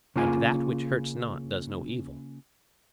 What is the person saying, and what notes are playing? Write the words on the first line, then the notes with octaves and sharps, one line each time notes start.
And that which hurts not does no evil?
C#3 A#3 F4 G#5